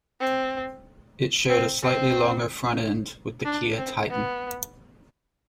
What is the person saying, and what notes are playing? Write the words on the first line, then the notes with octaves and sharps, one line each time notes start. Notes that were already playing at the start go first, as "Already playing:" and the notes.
It shared a slightly longer front end with the Kia Titan.
C4
C4
C4
D4
C4
B3